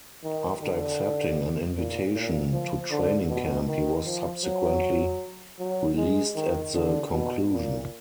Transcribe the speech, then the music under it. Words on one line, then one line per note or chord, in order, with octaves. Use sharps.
After accepting an invitation to training camp he was subsequently released at the conclusion.
D#3
D3
A#2
A#2
F3
D3
B2
D#3
F3
F#3
F#3
G#3
D#3
D3
B2
A#2